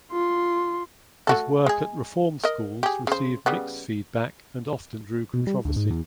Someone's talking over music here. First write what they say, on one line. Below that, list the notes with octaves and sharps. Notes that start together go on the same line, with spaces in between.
His work at reform schools received mixed feedback and often drew controversy.
F4 C6
A3 F#4 A4
G#3 G#4
A#4 D#5
G4 G#4
C#3 C5
C#3 G3 B3
B2
G3
D2
G#2
E2